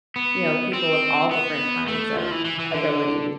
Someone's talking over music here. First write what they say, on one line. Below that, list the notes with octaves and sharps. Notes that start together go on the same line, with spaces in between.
you know, people of all different kinds of abilities.
B3
C4
B3
A3
F3
E3
E3
E3
D3